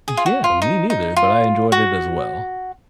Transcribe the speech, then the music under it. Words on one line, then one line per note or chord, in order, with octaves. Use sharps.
Yeah, me neither, but I enjoyed it as well.
G#4
F4
F#4
F4
D#4
D#4
F4
F#4